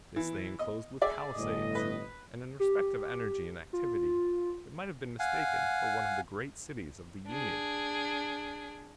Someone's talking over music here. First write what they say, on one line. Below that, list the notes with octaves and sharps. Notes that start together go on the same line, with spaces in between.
This they enclosed with palisades; and in respect of energy and activity, it might have been mistaken for one of the great cities of the Union.
E3
D#5
G#4 D5 E5
G1 A2 D#5
B4
G4
F4
F5 F#5 G#5
D4 G#4